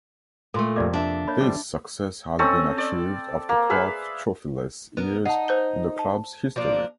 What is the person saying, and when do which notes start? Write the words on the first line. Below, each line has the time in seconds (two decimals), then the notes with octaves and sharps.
This success has been achieved after twelve trophyless years in the club's history.
0.54 A#2 A3 A4 C6
0.76 F2 C3 A#3 D5 D6
0.93 D4 E5
1.28 A#3 C#5 B5
1.41 D3 G3 C4 D6
2.39 C4 C#4 A4 D#5
2.78 D5
3.49 A#3
3.70 G#4 B4 E5 F5
4.97 B3 A#4
5.26 D#4 F#5 A5
5.48 C5 G6 G7
5.99 A5
6.56 F3 A#3 D4